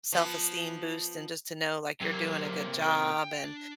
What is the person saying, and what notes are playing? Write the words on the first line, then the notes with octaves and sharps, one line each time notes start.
self-esteem boost and just to know, like, you're doing a good job and
F3 B3
C3 F#3 A#3
G5
D4